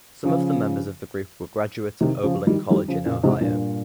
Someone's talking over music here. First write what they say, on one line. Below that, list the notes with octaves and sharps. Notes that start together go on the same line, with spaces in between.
Some of the members of the group were graduates of Oberlin College in Ohio.
C#3 F3
C3 D#3
C#3 F3
D#3 G3
D#3 G3
C#3 F3
A#2 C#3
G#2 C3
G2 A#2